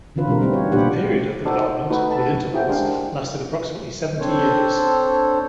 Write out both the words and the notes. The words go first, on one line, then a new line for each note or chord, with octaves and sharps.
The period of the development, with intervals, lasted approximately seventy years.
D3 E3 C#4 F4 B4
B2 G3 A3 C4 A#4
G3 B3 C4 D4 D#4
F#4 C#5
A#2 D4 F4 G4 B4 F#5
D#4 F#4 A4 C5 D5
A3 D#4 F#4 B4
A4 A5 B5
C4 E4 F#4 G#4 G5
G#3 D4 G4 A#4 C5 F5
C4 D4 A4 C5 C#5